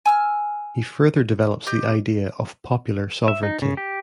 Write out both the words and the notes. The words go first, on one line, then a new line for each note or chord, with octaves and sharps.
He further develops the idea of popular sovereignty.
G#5 E6 F6
G4 D#5 G6
E5
D#4
C#3
G4